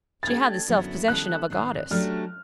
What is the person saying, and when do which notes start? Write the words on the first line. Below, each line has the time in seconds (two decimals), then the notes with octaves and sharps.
She had the self-possession of a goddess.
0.23 A6
0.27 A3 D4 G4 G#6
0.68 F#2 D3 F#3 B3 E4
1.08 D#3 G3 B3 E4 A4 F#6
1.50 G#2 D#3 G3 C4
1.91 F#3 A3 D4 G4 F6